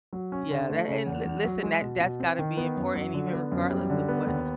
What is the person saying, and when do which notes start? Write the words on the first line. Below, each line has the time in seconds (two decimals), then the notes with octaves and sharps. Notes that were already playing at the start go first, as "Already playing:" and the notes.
Yeah, that and li listen, that that's gotta be important even regardless of what
0.13 F#3
0.32 C#4
0.50 D3
0.69 A3
0.88 C#3
1.06 E2
1.25 E2
1.44 F#3
1.63 G#3
1.82 B2
2.01 B2
2.20 C4
2.39 D#3
2.57 B3
2.76 F#2
2.95 F#3
3.14 D3
3.33 B3
3.52 F#2
3.70 G3
3.90 D3
4.08 B3
4.27 D#2